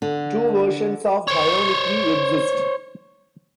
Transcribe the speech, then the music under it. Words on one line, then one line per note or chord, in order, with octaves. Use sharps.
Two versions of "hayanuki" exist.
D3
C5 C#5